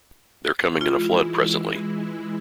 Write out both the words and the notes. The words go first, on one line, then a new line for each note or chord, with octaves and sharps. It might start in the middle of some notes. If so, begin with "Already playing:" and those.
They’re coming in a flood presently.
E3 G#3 E4 F4